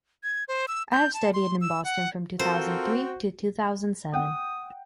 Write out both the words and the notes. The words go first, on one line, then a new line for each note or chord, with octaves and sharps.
I have studied in Boston from two thousand three to two thousand seven.
G#6
C5
E6
G6
A5
C6
E6
F#5
C4 F4 F#4 A4 A#4 C5
F#5 G5 D#6